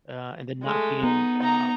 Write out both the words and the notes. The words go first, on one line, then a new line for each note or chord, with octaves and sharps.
uh, and then not being, uh
G#3 A3
B3 D#4
D#4 A#5